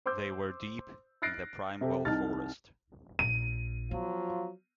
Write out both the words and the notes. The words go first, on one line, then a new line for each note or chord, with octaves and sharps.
They were deep in the primeval forest.
C5 C6 D6 E6 G6
F6 F#6 A6 A#6 C7 D7
C3 G4 A4
C2 D#4 A5 F6 A6
A#1 D#7
F3 F#3 B3 F4